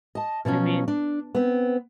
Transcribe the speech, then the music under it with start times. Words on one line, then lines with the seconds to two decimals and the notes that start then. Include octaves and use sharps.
I mean
0.15 D#5 A5
0.45 B2 F3 F#3 C#4
0.88 D4
1.35 B3 C4